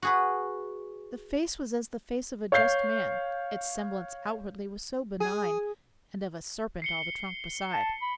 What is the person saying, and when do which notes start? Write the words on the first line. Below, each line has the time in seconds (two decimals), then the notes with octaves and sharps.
The face was as the face of a just man, Its semblance outwardly was so benign, And of a serpent all the trunk beside.
0.02 F#4 G#4 B4
2.52 C#5 F5 G6 C7
5.20 G#4
6.82 C7 C#7 G7
7.72 A5
8.02 B5